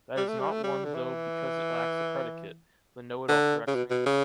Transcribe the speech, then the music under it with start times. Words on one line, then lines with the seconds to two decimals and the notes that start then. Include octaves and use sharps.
That is not one though because it lacks the predicate, the know-it-all corrects me.
0.17 G3
0.28 A3
0.39 G3
0.51 A3
0.64 G3
0.85 D3
0.94 E3
3.29 D3
3.67 C#3
3.75 B2
3.90 B2
4.06 C#3